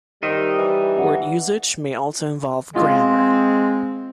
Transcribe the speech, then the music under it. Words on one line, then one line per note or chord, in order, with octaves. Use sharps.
Word usage may also involve grammar.
D#3 G3 D#4 C5 D#5 E5
E3
C#4 D5 F#5
G#3 C4 F4